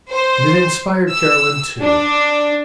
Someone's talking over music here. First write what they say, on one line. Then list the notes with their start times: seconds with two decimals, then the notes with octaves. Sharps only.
And it inspired Carolyn too.
0.10 C5
1.09 E6
1.80 D4